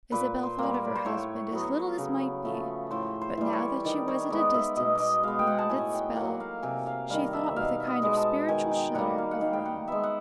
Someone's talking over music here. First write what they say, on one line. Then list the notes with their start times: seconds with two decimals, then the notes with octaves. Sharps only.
Isabel thought of her husband as little as might be; but now that she was at a distance, beyond its spell, she thought with a kind of spiritual shudder of Rome.
0.12 A#2 B4
0.43 C5
0.59 G3 A#3
0.74 D5
0.85 B4
0.95 C5
1.05 A2 C#5
1.52 F#3 B3
1.98 C#3
2.45 F3 A3
2.91 A2 C5
3.21 C5
3.37 E3 G3
3.46 D5
3.53 C#5
3.84 D#3 D5
4.08 C#5
4.30 G#3 B3 D5
4.54 E5
4.76 B2 D#5
4.95 D5 D#5
5.23 G#3 B3 F5
5.39 G5
5.47 F#5
5.58 A5
5.69 A2 G#5
5.93 G5
6.16 F#3 A#3 F#5
6.40 F5
6.63 C3 G#5
6.87 F5
7.10 D#3 G3 F5
7.33 E5
7.56 B2 F5
7.80 E5
7.87 D#5
8.02 G#3 B3
8.17 A5
8.48 D#3 G#5
8.71 G5
8.95 G3 A#3 F#5
9.18 F5
9.31 F#5
9.41 D#3 F5
9.53 G5
9.65 F#5
9.88 G#3 B3 E5
10.04 F#5